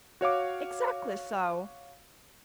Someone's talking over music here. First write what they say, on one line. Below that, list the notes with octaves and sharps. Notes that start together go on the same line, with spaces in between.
'Exactly so.
F#4 C#5 F5 D6